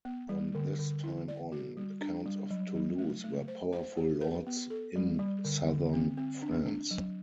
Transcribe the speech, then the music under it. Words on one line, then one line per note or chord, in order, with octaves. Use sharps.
From this time on, the counts of Toulouse were powerful lords in southern France.
B3
G3
D3
D3
E4
D5
F#4
G3
D4
G3
F#3
F#3
A3
A3
C5
C5
G4
B4
B3
A4
G3
G3
D3
D3
C4
C4
D4
D4
F#3